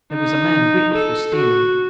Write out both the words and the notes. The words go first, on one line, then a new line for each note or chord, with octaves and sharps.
Their was a man Whiped for Stealing.
D#4
A4
F#4